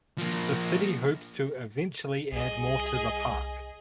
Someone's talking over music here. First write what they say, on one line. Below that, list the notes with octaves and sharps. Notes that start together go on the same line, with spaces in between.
The City hopes to eventually add more to the park.
F3 A#3
C2 G#4 D#5